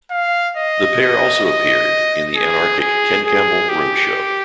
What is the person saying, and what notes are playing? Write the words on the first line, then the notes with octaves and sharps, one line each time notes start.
The pair also appeared in the anarchic Ken Campbell Road Show.
F5
D#5
D#5
D#5
G#4
G#4
G#4
G4